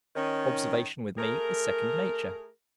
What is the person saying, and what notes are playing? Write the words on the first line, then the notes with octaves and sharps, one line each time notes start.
Observation with me is second nature.
D#3 C#4
A3 G#4 A#4